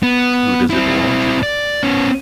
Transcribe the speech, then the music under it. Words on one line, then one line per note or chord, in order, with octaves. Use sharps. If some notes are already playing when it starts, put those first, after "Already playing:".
Who does it belong to?
B3
C4 E4
D5
B3 C#4